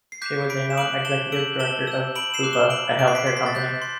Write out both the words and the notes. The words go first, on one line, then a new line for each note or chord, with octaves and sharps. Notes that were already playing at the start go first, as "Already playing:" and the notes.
She was a non-executive director of Bupa, a healthcare company.
C7
D6 F#6 G6 B6
B5 B6 D7
E7
D6 F#6 D7 F#7
A5 E7 G7
E6 G6 D7 F#7
A5 E7 G7
E6 G6
B5 D7 F#7
C7 E7
D6 F#6
E7 G7
B5 D7 F#7
D6 F#6 D7
C7
B6 D7
C6 C7
B6
A6
F#6 G6 B6
C6